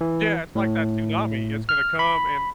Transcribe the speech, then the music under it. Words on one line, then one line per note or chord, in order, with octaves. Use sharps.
Yeah, it's like that tsunami, it's gonna come, and
E3
A2
F6
B5